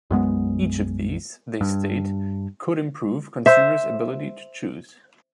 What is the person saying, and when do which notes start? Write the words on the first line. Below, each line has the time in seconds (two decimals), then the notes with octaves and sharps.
Each of these, they state, could improve consumers' ability to choose.
0.10 B1 F#2 G#3 B3
1.61 G2
3.46 C5 E5